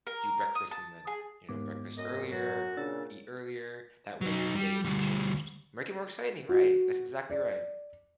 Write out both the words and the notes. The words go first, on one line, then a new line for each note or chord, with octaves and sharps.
do breakfast and then you know, breakfast earlier or eat earlier. That way your day is changed. Make it more exciting, right. That's exactly right.
A#4
D#6
A5
G#4
D#2 G#2 B3 D6
F#2 D#5
F#3 F#4
A#2 C#3 D4 E6 A6
F#3 D#4
G3
D2 G3
F#4
D5